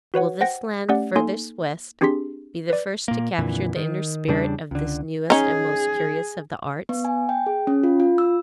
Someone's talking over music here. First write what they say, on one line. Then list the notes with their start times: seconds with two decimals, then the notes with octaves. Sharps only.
Will this land furthest west be the first to capture the inner spirit of this newest and most curious of the arts?
0.14 F#4 B4 C#5 F#5
0.41 C5 F#5 G5 A#6
0.89 A3 C#4 G4 D5 F#5
1.16 A#3 D#4 A4 G#5 C6
2.01 C4 D4 G4 G#4 C6 B6
2.70 B4 D5
3.08 A#2 A#3
3.38 F2 A#2 D3 E3
3.76 D#3
4.28 E2 C#3 G3 D4
4.71 C#2 D3
5.30 C#4 D#4 G#4
6.89 B3
7.05 G#5
7.29 G5
7.46 G#4
7.67 C#4
7.83 F4
8.00 F4
8.18 E6